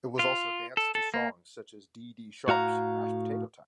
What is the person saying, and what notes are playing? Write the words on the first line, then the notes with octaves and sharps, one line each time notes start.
It was also danced to songs such as Dee Dee Sharp's "Mashed Potato Time".
F4
A4
A4
A#3
A2 F#4 F5 A#5